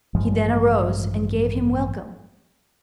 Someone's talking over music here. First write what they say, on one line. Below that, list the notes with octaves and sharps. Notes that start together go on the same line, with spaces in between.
He then arose, and gave him welcome.
A1 G2 F3 G#3